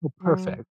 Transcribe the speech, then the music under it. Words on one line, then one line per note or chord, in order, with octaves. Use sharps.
Well, perfect.
F#3